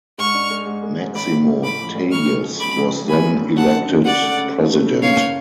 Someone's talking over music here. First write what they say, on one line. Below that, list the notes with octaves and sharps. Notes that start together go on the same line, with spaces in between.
Maximo Tajes was then elected President.
G#2 C#6 F6
D4
G#3
G#2
G#3
G#2
A1 B5 D6
A2
A1
A2 B5 D6
F3
A1
F2 C#6 F6
G#3
F3
G#3 B5 D6
F2
F2
G#1 G#5 B5
F#2
D3
F#3 F#5 A5
D3
D3
C#3 D5 F#5
A3
C#3
C#3
A3
C#3
F#1 C#5 F5